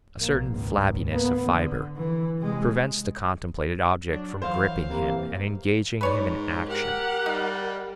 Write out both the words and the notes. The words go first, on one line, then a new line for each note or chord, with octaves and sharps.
A certain flabbiness of fiber prevents the contemplated object from gripping him and engaging him in action.
A#1 A#3
G#1 C#2
A#3 B3
D3
E3
C3 G#3
F#3 D4
E3 F#3 C5 F5
E3 A#3 C4 G4
G#2 B4 C#5 D5
G4 A#4 F#5
G3 D#4